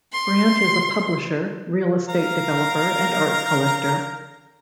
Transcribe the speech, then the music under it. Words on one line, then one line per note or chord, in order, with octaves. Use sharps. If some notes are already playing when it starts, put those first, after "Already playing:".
Brant is a publisher, real estate developer and art collector.
C6
A#4 F5 A#5